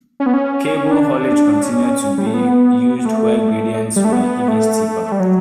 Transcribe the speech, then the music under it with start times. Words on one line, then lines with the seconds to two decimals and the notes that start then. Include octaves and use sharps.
Cable haulage continued to be used where gradients were even steeper.
0.20 C#4
0.26 B3
0.34 C#4
0.91 D4
1.62 C#4
2.18 G3
2.26 A3
2.34 B3
2.99 B3
3.06 A3
3.96 G3
4.05 A3
4.13 B3
4.48 A3
5.12 G3
5.20 F#3